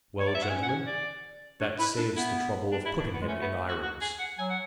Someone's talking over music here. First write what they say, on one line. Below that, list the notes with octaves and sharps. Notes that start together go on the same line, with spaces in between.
"Well, gentlemen, that saves the trouble of putting him in irons."
C#5
D5
E5
F#5
C#4 G#5
F#5
G#5
D5
D4 C#5
E4 B4
D4 A4
B3 E4
D4
E4
D4
B3
G#3
A3 C#4
B3
F#4
F#4
G#4
F#5
F#3 G#5
F#5